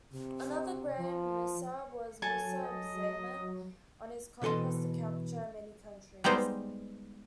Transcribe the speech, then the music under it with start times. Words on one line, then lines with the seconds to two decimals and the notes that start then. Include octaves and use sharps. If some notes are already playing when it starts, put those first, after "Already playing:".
Another Grand Musab was Musab Zaman, on his conquest to capture many countries.
0.13 C3
0.98 F3
2.22 F#3 A4 G#5 A5
2.63 D#5
4.42 B2 E3 A4 D#5 C6
6.24 G3 G#3 B3 D#4 C5